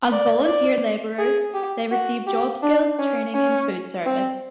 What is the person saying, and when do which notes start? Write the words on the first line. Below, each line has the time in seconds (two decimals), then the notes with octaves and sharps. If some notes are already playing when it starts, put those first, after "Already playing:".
As volunteer laborers, they receive job skills training in food service.
0.12 D5
0.47 D5
1.19 G#4
1.54 G4
1.91 F#4
2.27 G4
2.63 D4
2.99 C#4
3.35 C#4
4.06 C4